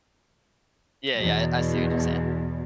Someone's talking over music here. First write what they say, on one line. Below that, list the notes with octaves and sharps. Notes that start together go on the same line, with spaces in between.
Yeah, yeah, I see what you're saying.
E2 B2